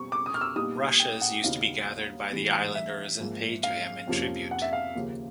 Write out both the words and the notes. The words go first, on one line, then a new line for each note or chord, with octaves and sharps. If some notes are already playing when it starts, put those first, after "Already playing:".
Rushes used to be gathered by the islanders and paid to him in tribute.
Already playing: B2 G3 C4 C#6
D6
D#6
F6
E6
A#2 G3 B3 D#4 D#6
G5
F#5
D#2 C#3 F#3 B3 D#4 F5
A2 E3 G3 B3
E5
G#2 F3 A#3
F5
F2 C3 F3 A#3 C#4
F#5
E5
F5
D#2 C#3 F3 A#3